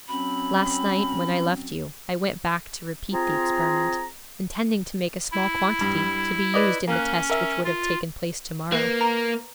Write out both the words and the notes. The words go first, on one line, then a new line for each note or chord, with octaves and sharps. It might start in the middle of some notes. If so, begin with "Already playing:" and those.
Last night, when I left you, I went back to repeat the experiment, intending to make a small quantity to be used in the test which would have taken place to-morrow.
F#3 C4 C#4 B5
C4 F4 G#4 A#5
E4
G2
B4 D5 D#5
A#3 C#4 F#6
A#4 E5
F4
A#3 B4
A#5